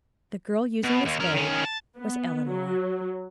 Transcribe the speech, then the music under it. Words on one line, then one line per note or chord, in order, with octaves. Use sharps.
The girl using the spade was Eleanor.
B2
D#2
C#4 A#4
D#3 C#4
A5
B3
F#3